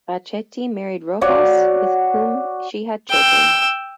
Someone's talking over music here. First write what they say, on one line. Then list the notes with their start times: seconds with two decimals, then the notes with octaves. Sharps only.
Bracetti married Rojas with whom she had children.
1.21 F#4 C#5 D5 F#5
3.10 G5 E6